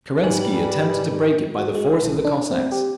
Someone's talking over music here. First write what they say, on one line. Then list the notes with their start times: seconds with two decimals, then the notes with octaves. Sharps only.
Kerensky attempted to break it by the force of the Cossacks.
0.23 G#2 G3 D#4 B4 G#5 F#7
1.59 F#4
1.75 G#3
2.02 B1
2.25 D4
2.51 C4
2.72 G4